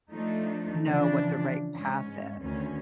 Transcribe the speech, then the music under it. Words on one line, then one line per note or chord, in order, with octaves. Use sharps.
know what the right path is?
F3 A3 D4 D#4
C#3 E3 F3 D4
G#2 C#4
D2 D#3 C#4